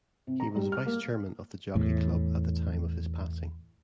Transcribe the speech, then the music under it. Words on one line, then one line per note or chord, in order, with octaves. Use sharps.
He was vice-Chairman of The Jockey Club at the time of his passing.
C3
A#5
G3
F6
A#3
E2 A2